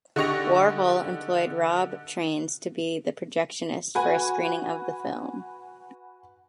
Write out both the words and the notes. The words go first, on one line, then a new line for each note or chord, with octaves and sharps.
Warhol employed Rob Trains to be the projectionist for a screening of the film.
D3 D#4 G4 C#6 A#6 F7
F#4 B4 G#5